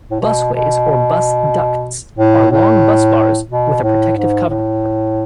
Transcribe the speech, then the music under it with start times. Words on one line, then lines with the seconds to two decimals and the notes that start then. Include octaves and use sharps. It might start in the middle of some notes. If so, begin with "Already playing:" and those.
Busways, or bus ducts, are long busbars with a protective cover.
0.11 A2
0.20 B2
0.53 B2
2.18 A2
2.51 A2
3.51 B2
3.83 A2
4.17 G#2
4.49 A2